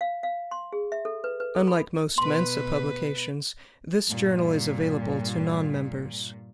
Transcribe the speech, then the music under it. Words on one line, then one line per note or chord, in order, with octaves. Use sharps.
Unlike most Mensa publications, this journal is available to non-members.
F5
F5
C6
G#4
E5
A4
B4
B4
A4
B5
B2 B4 C6
G2 A#2